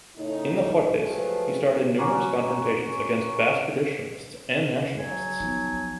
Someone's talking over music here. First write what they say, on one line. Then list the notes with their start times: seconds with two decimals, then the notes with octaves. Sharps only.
In the Cortes he starred in numerous confrontations against Basque traditionalists and nationalists.
0.16 A2 C#3 D#4
0.95 F3 F#3 G#3 A3 G#4 B4
1.98 A#3 C#4 F#4
4.62 G#4
4.98 F#3 G#5
5.40 F3 B3 D#4
5.63 A5